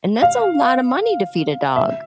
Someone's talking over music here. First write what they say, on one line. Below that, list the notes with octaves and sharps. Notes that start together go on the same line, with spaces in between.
And that's a lotta money to feed a dog.
F5
E5